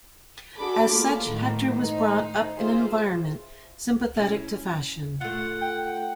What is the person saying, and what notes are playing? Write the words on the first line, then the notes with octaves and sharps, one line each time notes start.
As such, Hechter was brought up in an environment sympathetic to fashion.
D4 F#4 G#4 A4 B5 D6
A3 A#3 F4
A2 D#3
D#4 C5
F4 G#4 C5 E5
C#4 E4
A3 F4 F#5
G5